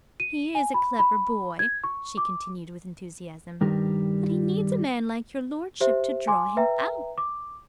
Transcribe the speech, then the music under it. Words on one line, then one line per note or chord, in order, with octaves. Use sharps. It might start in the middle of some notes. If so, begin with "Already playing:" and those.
"He is a clever boy," she continued with enthusiasm, "but he needs a man like your Lordship to draw him out!"
D#7
G#5
B5
B5
G#6
C#6
D6
G2 D#3 G3 A#4
G4 C5 E5
G#5 C6 D6
B4 E5 G5 A#5
D6